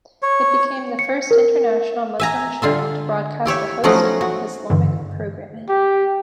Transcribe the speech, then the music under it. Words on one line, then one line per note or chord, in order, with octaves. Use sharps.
It became the First International Muslim channel to broadcast a host of Islamic programming.
C#5
C#7
A#4
E5 G#5 A#5
D3 F4 E5
E4 G4 C#5 E5
F3 F#3 A3 C#4 D#4 F#5
F#4
G2 D3 E3
G4